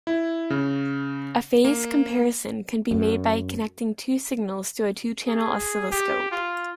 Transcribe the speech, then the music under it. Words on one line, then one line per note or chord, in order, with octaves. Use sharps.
A phase comparison can be made by connecting two signals to a two-channel oscilloscope.
E4
C#3
A#3
F#2
G#4
G4
F4